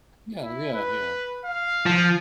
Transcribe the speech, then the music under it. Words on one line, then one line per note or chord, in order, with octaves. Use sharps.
Yeah, yeah, yeah.
E4
B4
F5
F3